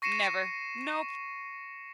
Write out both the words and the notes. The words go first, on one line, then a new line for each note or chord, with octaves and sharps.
Never. Nope.
C#6 A#6 C7 C#7 D#7 E7